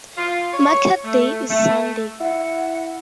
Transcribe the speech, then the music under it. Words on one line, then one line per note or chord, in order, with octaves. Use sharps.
Market day is Sunday.
F4
C#5
A3
A3
E4 F#5